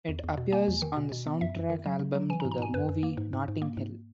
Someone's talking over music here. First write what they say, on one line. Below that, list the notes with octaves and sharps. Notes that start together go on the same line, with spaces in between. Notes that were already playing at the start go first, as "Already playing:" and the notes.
It appears on the soundtrack album to the movie Notting Hill.
E2
E2
B2
A#3 G#5
E2
D#3
B2
B2
B3
F#2 E5
F#2
D#3
F#3
C#3
F#3
E3 G#5
A#5
G#2
A#5
G#2 G#5
F#2 B4
F#2
A#3
G#2
G#2
G#2
A#3
G#2